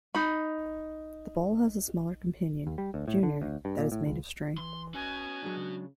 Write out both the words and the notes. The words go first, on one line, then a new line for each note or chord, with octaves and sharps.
The ball has a smaller companion, "Junior", that is made of string.
D#4 B5
D#2
G3
D2
A2
D3
D2
G2
A#2
A2
C#2
E3 C6
C#4 F#4 B4 G#5
F#3 G#3 D4
C#3